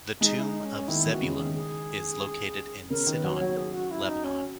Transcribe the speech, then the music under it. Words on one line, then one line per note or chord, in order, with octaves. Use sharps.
The Tomb of Zebulun is located in Sidon, Lebanon.
G#3 D#4
E4
D#4
C#4
D#3 E4
E3
F#4
C#3
G#4
D#3
G#4
C#3 A#4
D#3
B4
F#3
C#5
F#3
G#4
F#4
E4
D#4
C#4